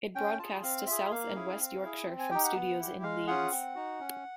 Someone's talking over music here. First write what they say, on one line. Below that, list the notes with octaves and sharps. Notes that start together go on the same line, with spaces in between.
It broadcasts to South and West Yorkshire from studios in Leeds.
C#4 G5
F4 G#4 A5
C4 F5
F4 G#4 E5
A#3 F5
C#4 E4 G#4
C4
E4 G#4
C4
G#5
D#4 G4 G5
F#5
B3
E4 G4
G#3 F5
C#4 F4 G#4 F#5
C4
D#4 F#4
C#4